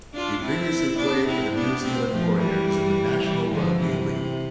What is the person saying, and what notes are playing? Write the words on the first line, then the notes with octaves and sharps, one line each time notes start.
He previously played for the New Zealand Warriors in the National Rugby League.
D4 F4
C4 E4
B3 D4
C4 E4
B3 D4
A3 C4
F3 A3
E3 G3
E3 G3
D3 F3
C3 E3
C3